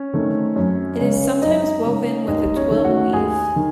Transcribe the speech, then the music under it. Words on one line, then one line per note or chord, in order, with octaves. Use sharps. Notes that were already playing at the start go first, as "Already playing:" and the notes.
It is sometimes woven with a twill weave.
Already playing: C#4 C#5
D#3 A3 C4
F#2
C#3 G#3 C#4
F#2 D#4 D#5
C#3 G#3 C#4
D#2 D#4 D#5
C#4 C#5
D#3 A3 C#4
F#4 F#5
D#2 G#4 G#5
D#3